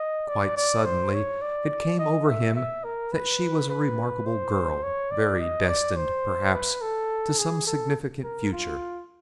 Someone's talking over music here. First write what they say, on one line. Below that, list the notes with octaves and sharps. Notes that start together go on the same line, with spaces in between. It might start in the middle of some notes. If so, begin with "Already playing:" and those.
Quite suddenly it came over him that she was a remarkable girl--very--destined, perhaps, to some significant future.
Already playing: D#5
D5
D5
C5
C#5
D5
D#5
E5
E5
A#4
B4
B4
C5
C#5
D5
D#5
D5
C5
B4
A4
G#4
A4
A#4
F4